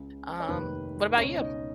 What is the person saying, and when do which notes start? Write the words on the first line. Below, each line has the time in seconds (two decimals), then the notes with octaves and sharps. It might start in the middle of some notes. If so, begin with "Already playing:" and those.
Um, what about you?
Already playing: C#2 C#3
0.40 C#5
0.48 F1 D#2 D#3 B4
1.17 C#2 B2 C#4 C#5
1.40 D#4 D#5